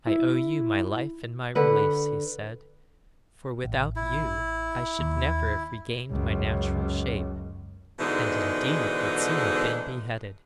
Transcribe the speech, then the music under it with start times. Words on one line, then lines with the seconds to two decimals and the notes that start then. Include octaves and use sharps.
'I owe you my life and my release,' he said, 'for without you I should never have regained my natural shape, and, indeed, would soon have been beheaded.
0.07 E4
1.55 D3 B4 F#5
3.64 A1
3.96 E4
4.99 D#2
6.10 C#2 F#2
7.99 G#2 B2 D3 E3 G#3 D#4